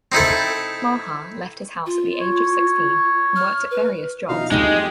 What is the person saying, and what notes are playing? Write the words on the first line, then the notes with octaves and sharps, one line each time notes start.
Maha left his house at the age of sixteen and worked at various jobs.
C4 D#4 E4 A4
F4
C#5
F6
B4
B2 E3 F#3 D#4 F5
F2 G#3 D#4 G4